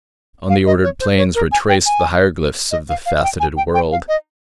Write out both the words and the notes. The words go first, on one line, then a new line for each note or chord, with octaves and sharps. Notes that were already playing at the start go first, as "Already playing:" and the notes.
On the ordered plains were traced the hieroglyphs of the faceted world.
F5
D#5
C#5
C5
C#5
A#4
G#5
G5
G#5
D#5
F5
F5
G5
G#5
G5
G5
F5
D#5